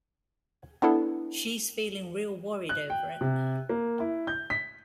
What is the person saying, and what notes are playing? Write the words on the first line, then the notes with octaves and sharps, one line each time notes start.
She’s feeling real worried over it.
B3 D4 E4 A4
F#6
G5
C3
A#3
E4
G6
B6